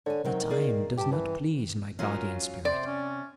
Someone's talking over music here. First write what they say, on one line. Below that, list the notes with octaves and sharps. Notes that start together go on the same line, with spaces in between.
The time does not please my Guardian Spirit.
D3 C#5 G#5
C3 D#3 F#3 G5
A#3 G#4 D5
G2 G4 A5
E3
F#3 C#4 F4 A#4
C3 C5 D5
C#4